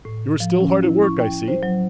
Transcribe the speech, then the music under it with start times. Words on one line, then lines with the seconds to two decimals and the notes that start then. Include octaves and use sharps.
"You are still hard at work, I see?"
0.05 A2
0.40 F3
0.60 C#4
0.83 E4
1.03 C#6
1.19 G5
1.48 C5
1.63 F#3